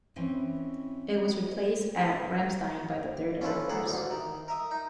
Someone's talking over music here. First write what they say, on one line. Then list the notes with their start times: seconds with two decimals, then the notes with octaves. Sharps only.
It was replaced at Ramstein by the Third Air Force.
0.16 E3 C4 C#4 E4 D#5
3.41 C#4 F4 A4 B4
3.69 C#2 D#3 G#4 A4 F#5
3.87 A1 D2
4.10 D#3
4.48 A#4 E5 D#6
4.71 D#4